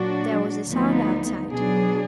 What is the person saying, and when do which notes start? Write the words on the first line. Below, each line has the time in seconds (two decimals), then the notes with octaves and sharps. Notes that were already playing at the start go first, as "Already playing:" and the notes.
There was a sound outside.
Already playing: A#2 F#3 D4 F#4
0.67 D2 D3 F3 B3 D#4
1.49 B2 F#3 D4 G#4